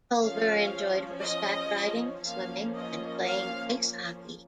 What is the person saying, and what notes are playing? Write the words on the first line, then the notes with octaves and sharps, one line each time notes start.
Culver enjoyed horseback riding, swimming, and playing ice hockey.
F3 C#4 F5
D#5
F3 A#3 C#4 F5
D#5
F5